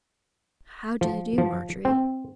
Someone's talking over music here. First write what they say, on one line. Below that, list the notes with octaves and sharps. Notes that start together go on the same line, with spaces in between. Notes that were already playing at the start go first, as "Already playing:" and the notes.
'How do you do, Margery?
F3
F3
C4